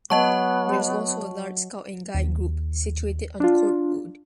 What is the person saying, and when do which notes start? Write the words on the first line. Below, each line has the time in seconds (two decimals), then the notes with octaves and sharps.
There is also a large Scout and Guide group, situated on Court Road.
0.10 F#3 B3 D#5 A5 C#6
2.15 D#2
3.40 D4 F4